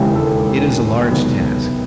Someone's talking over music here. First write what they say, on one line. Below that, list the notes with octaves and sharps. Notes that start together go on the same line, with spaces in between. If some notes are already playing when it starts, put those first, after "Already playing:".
It is a large task.
Already playing: E1 D#2 C#3 E3 G#3 G4
A4
C#2 C3 D#3 F#3 B3